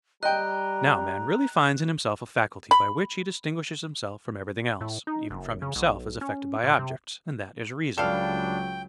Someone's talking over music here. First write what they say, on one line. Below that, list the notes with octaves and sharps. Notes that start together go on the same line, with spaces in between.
Now man really finds in himself a faculty by which he distinguishes himself from everything else, even from himself as affected by objects, and that is reason.
G3 D#5 G5 A#5 F#6
B5
A2
D#4
F#1
C#3
B1
C#4
A#2
C3
C#2 F#3 G3 D4 A4 B4 F5 G5